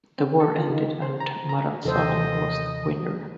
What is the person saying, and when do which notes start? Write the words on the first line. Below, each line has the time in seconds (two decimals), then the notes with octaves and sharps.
The war ended and Maranzano was the winner.
0.18 C4
0.40 A4
0.58 F4
0.70 D#3
1.02 C5
1.20 A#5
1.49 A#5
1.85 D#2 C3 E3 A4 C5 D#5